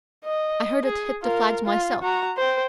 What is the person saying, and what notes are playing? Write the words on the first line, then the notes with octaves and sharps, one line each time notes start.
I heard it hit the flags myself.
D#5
G#4
F4 A#4
F4
F#4 A#5
C5 G5